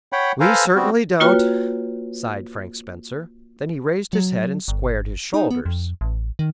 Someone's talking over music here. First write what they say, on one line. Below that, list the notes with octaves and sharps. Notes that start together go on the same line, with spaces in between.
"We certainly don't," sighed Frank Spencer; then he raised his head and squared his shoulders.
C#5 F#5 G5 B5
A4 B4 C5 F5 G#5 A#5
G3 B3 C4 F#4
A#3 F4 F#4 B4 C#5 G5
F#3
G1
D#4
B3
F2
A1
D#3